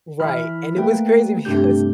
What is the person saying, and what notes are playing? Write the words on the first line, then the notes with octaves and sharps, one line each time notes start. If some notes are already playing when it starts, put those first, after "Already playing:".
right, and it was crazy because
E3 E4 E5 B5 F6
A3 A#3 B4 G5
G2 C3 A3 D4 G4 G6